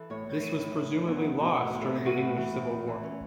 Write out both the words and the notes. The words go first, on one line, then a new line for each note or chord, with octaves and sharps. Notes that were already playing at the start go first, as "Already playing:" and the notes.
This was presumably lost during the English Civil War.
Already playing: E3 A4
A2 C#5
A2
E3
A2
A2
E3
E2
E2
B2
A2 B4
A2
A4
E3
A2 F#4
A2
E3
A2
A2
E3
C#4